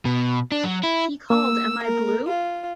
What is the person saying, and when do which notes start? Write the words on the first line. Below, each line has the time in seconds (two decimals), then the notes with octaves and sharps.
He called Am I Blue?
0.05 B2
0.52 D4
0.64 F#3
0.83 E4
1.30 A#3 E6
1.84 A#4
2.27 F4